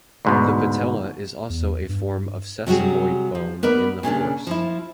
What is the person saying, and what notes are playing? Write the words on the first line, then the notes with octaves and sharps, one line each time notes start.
The patella is also a form of sesamoid bone in the horse.
D2 G#2 B2
E2
G2
C3 F#3 G3 F#4 G#4
F3
B3 A#4 B4 D5
A#2 C#3 C#4 D4
F3 E4